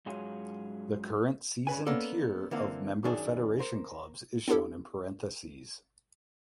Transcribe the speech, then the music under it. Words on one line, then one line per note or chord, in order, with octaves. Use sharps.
The current season tier of member federation clubs is shown in parentheses.
G#2 F#3 C#4 F4 G#4
G2 C#3 B4 G#5
A#3 B3 C#4 A4 D5
D3 E3 A#3 C4
F#2 D#3 D4 G#4
A#4 C5
B3 D4 E4 G4 A4